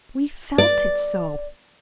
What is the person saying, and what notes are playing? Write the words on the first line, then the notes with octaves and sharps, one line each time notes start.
We felt it so!
D5